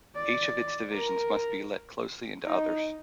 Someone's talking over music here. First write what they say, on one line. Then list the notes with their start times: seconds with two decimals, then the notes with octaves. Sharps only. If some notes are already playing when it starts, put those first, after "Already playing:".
Each of its divisions must be let closely into others.
0.15 D5
0.92 A#4
2.45 D#4